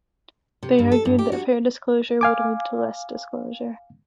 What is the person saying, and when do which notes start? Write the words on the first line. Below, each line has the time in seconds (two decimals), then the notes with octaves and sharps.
They argued that fair disclosure would lead to less disclosure.
0.63 C3
0.79 G2
0.92 A4
1.05 G2
1.18 G4
1.32 F#4
2.21 F5 G#5 D6